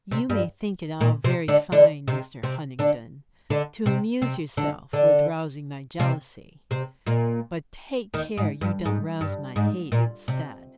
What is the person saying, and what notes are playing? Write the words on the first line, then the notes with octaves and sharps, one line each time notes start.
'You may think it all very fine, Mr. Huntingdon, to amuse yourself with rousing my jealousy; but take care you don't rouse my hate instead.
C3 C4
G2 G3
A#2 A#3
C3 C4
D3 D4
D3 D4
C3 C4
C3 C4
D3 D4
D3 D4
C3 C4
C3 C4
D3 D4
D3 D4
C3 C4
C3 C4
A#2 A#3
D#2 D#3
G#2
G2
G#2
G2
G#2
A#2
C3